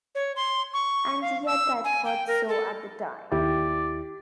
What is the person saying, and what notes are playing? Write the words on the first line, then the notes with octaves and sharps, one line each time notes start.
And yet I thought so at the time!
C#5
C6
C#6
F5
E6
G#5
G5
A#4
A4
D#2 E4 G4 D5